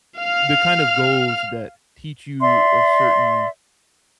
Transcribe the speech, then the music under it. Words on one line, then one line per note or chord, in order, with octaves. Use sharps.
the kind of goals that teach you a certain
F5 F6
D5 E5 C6